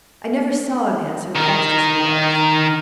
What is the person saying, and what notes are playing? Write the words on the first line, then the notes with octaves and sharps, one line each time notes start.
I never saw a man so vexed as he was.
D#3 A#4